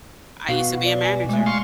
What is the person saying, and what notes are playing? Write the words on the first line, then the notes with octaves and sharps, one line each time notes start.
I used to be a manager,
B2 F#4 F5
D5
G#5
G#3 A3 G#5
F5 C6 C#6